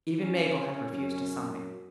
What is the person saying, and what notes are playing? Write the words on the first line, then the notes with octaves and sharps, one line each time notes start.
Even Mabel had refused to sign.
C#4
F#2